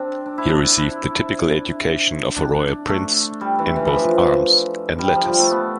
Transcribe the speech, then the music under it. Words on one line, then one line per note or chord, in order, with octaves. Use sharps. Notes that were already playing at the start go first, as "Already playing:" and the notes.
He received the typical education of a royal prince in both arms and letters.
Already playing: C4 D4
D4
E4
D4
E4
D4
A3
G3
E3
E3
E3
F3
G3
F3
G3
A3
B3